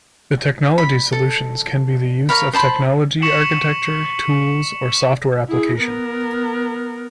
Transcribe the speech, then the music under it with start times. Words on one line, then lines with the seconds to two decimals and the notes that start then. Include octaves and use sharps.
The technology solutions can be the use of technology architecture, tools, or software application.
0.78 B5
1.12 A4
2.29 A#4 C#5 F5 B5
2.53 C5 A5 B5 C6
3.22 C#6 B6 C#7 E7 F#7
5.48 E4 G#4
5.77 B3 A#4